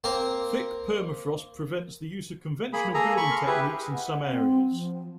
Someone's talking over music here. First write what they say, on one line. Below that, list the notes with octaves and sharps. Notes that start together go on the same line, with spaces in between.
Thick permafrost prevents the use of conventional building techniques in some areas.
A#3 C4 A#4
A#3 G#4 B5
A#3 G#4 A4 G#5 A#5
B5 C#6
C6 F6
E4 G4 G#4 B4 E5
F#5
C4
F3